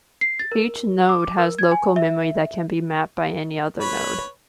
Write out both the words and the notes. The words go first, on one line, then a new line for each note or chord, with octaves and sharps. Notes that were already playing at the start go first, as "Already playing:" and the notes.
Each node has local memory that can be mapped by any other node.
C7
A6
A#4
D6
A#4
G#6
G#5
E5
B4 C#5 B5